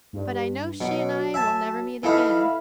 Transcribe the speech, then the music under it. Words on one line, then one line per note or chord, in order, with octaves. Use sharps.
But I know she and I will never meet again.
G2
B2 F#3
E5 G#5 A5
E3 A3 D#4 E4 F5 B5